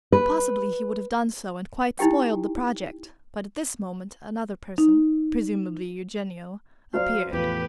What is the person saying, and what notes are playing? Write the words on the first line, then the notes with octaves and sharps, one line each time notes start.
Possibly he would have done so and quite spoiled the project, but at this moment another person, presumably Eugenio, appeared.
B4
D#4 E4 G4 G5
D#4
F#3 C5 D5 F5
E2 A2 F3 F4 G4 B4